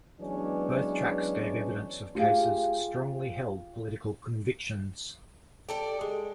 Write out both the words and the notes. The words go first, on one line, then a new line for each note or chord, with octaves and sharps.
Both tracks gave evidence of Case's strongly held political convictions.
E3 F#3 G#3 B3 C#4 D4
F4 G4 G#4 F5
G4 A4 D5
G#3